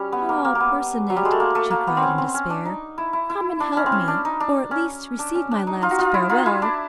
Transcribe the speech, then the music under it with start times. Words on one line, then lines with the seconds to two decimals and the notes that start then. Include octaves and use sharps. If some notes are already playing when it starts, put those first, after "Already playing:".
"Ah! Percinet," she cried in despair, "come and help me, or at least receive my last farewell."
Already playing: G3 C#4
0.12 B3
0.29 A#3
0.45 A#3
0.55 A#3
0.60 B3
1.10 F#3
1.16 G3
1.25 G#3
1.32 A3
1.40 A#3
1.55 A3
1.70 A#3
1.87 B3
1.97 C4
2.03 C#4
2.18 C4
2.34 C#4
2.50 D4
2.65 D#4
2.98 E4
3.13 E4
3.30 E4
3.60 D4
3.77 C#4
3.86 C4
3.92 C#4
4.08 D4
4.25 D#4
4.40 D4
4.71 C#4
5.19 D4
5.35 C#4
5.51 D4
5.67 D#4
5.82 D#4 F4
5.91 F#4
5.99 D#4 F4
6.14 E4
6.29 D#4 F4
6.46 E4
6.62 D4